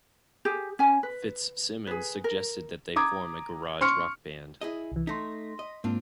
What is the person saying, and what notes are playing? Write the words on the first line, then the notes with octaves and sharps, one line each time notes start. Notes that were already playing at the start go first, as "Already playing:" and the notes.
Fitzsimmons suggested that they form a garage rock band.
G4 G#4
C#4 G#5
B4
G#4 B4
A#4
A#5 D6 D#6 G#6
C6 C#6 F6 C#7
E4 G#4 D#5
C2 E3
A3 D#4 C6 A#6 B6
D#5
G#2 A#3 C4 D4 F4